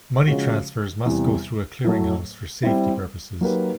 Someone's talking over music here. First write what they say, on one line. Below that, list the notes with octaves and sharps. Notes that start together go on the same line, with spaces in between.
Money transfers must go through a clearinghouse for safety purposes.
C#3 F3 G#3 C#4 F#4
E2 C3 E3 G3
A2 F#3 A3
G3 C4 E4
F#3 A#3 D#4 G4 B4